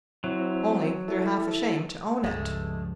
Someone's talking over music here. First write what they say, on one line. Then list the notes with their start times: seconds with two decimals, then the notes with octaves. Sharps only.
Only they're half ashamed to own it.
0.24 F#3 C4 E4
1.08 E4 A4
2.24 C#2 G2 F3 G#3 A3